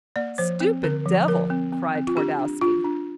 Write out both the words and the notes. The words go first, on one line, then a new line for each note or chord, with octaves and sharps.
"Stupid devil!" cried Twardowski.
A#3 D5
F3 C5
C4
D3 A#4
F3
F3 A#4
C4
C4
C4
F4
D4 G4
D4
D4 F4
D4